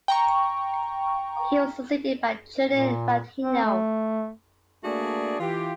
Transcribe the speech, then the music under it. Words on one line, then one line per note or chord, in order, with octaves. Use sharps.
He was succeeded by Julian Fantino.
G5 A#5 C#6
A#2
C4
A3
A3 A#3 D4 F#4 G#4 D5
E3 F4 G4